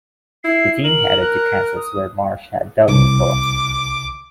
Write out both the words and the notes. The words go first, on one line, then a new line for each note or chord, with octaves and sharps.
The team headed to Kansas where Marsh had dug before.
E4 C7
A#4 F#7
F#6
D#6
C2 D6